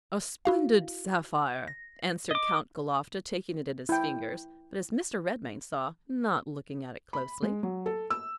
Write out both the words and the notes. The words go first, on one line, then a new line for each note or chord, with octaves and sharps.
"A splendid sapphire!" answered Count Galofta, taking it in his fingers, but, as Mr. Redmain saw, not looking at it closely.
E4 F#4 F5
A#6
D#5 D6
E4 G5
B5
G#3
F#3
A4
E6